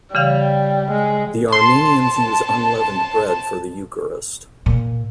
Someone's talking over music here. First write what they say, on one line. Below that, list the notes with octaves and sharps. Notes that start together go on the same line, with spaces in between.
The Armenians use unleavened bread for the Eucharist.
C#3 E3 G3 F5
G#3
A5 C6
A#2